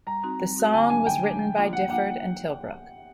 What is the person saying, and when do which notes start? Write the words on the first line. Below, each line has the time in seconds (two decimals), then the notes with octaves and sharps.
The song was written by Difford and Tilbrook.
0.07 G3 A#5
0.23 C4 D#4 F#4
0.40 G3
0.56 C4 D#4 F#4
0.73 D3 G#5
0.90 F#3 A3 D4 G#5
1.06 D3 G5
1.24 F#3 A3 D4
1.39 F3
1.56 A#3 D4 F4
1.73 F3 F#5
1.89 A#3 D4 F4 F#5